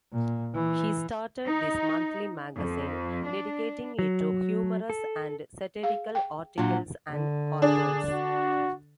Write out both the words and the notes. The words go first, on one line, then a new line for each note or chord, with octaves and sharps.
He started this monthly magazine, dedicating it to humorous and satirical articles and cartoons.
A#2
E3
D#4
F2
D4
F#3
A4
G#4 F5
G5
A#2 F#3 D4 F4
D3
D4 G#4
F#4